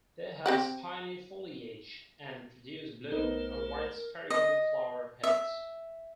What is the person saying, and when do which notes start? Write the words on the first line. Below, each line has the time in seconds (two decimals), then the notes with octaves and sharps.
They have spiny foliage and produce blue or white spherical flower heads.
0.46 C4 G4 F#5
3.12 B1 A3 B3 D#4 A#4 C5
4.30 D#5
5.23 E5